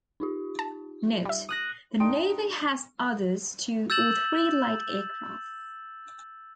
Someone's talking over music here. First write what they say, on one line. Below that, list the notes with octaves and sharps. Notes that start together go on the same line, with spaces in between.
Note: The Navy has others two or three light aircraft.
D#4 F4 G4
A5
G3 E5
D#6 F#6 A#6
D4 D#4 G5 C6 D#6 D7
E6 G6 A6 E7 F#7